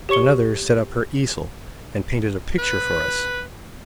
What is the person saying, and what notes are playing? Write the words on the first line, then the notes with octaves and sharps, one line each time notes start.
Another set up her easel and painted a picture for us.
G4 C#5 C#6 C#7 G7
B4